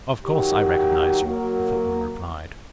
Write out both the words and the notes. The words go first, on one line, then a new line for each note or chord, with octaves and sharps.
"Of course I recognise you," the footman replied.
D#3 F#3 G4
F#3 A#3